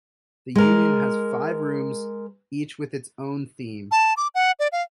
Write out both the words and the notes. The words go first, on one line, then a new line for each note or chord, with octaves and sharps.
The Union has five rooms, each with its own theme.
G#3 A#4
A5
D6
F#5
D5
F5